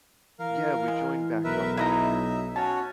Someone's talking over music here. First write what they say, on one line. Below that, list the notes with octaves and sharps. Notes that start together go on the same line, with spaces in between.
Yeah, we joined back up after.
E3 A#4 F5
G#3
B1 A#4 B4 E5
D#4 E4 D#5 E5 A#5
C#4 F#4 C#5 A5